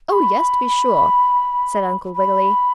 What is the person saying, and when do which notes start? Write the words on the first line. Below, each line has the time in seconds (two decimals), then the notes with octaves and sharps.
"Oh, yes, to be sure," said Uncle Wiggily.
0.09 C#6
0.13 B5
2.15 B5